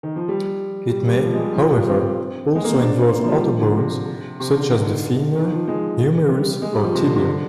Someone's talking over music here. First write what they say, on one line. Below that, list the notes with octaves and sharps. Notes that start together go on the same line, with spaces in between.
It may, however, also involve other bones such as the femur, humerus, or tibia.
D#3
F3
G3
G3
G3
F3
G#3
G3
F3
F3
G3
C4
G#3
A#3
C4
D4
C4
A#3
F3
G3
F3
D3
C3
C3
D3
D#3
D3
D#3
F3
G#3
G3
G#3
G3
F3
C3
D3
C3
D3